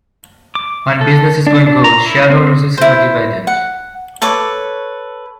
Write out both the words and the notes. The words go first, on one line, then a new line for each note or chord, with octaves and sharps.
When business is going good shareholders receive a dividend.
D6
A4
D4
D4
A#5
E4
C4
E4 C5
F#5
A4 B4 C#5 D6